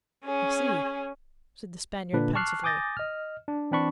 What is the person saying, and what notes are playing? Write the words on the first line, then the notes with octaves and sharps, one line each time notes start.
"I see," said the Spaniard pensively.
C#4 G#4 C#5
A#2 D3 D4 B4
A5 C#6 D6 F6 F#6 C7
G#5 D6 D#6 G6 A6 A#6
D#5 F6
D4
E3 C4 D4 B5 C#6